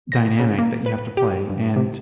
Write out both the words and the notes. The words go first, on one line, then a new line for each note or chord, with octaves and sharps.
dynamic that you have to play, and
A#6
C#3
A#3
B4
G4
G2
C3